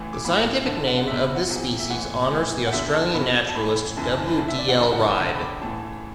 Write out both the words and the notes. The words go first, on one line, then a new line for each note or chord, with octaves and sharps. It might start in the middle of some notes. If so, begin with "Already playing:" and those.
The scientific name of this species honours the Australian naturalist W. D. L. Ride.
Already playing: A1 A2 E3
D6
A1 A2 E3 B5
D2 D3 A5
A5
F#5
F#5
F#1 E2 B2 E5
B5
F#5
E1 E2 E3
E5
A1 A2 E3 F#5
A1 A2 E3
F#5
F#1 E2 D3 E5
A5
A5
B1 B2 B5
A5
A1 A2 E3 B5
B5
F#1 F#2 E3 A5
A5
B5
D2 D3 A5
E5
D5
F#5
F#1 F#2 D3 A5
F#5
A5
B5
E1 D2 D3 A5
B5
D6
A1 A2 E3 A5